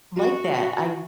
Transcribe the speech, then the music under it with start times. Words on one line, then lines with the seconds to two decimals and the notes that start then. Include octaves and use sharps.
like that. I
0.17 F#4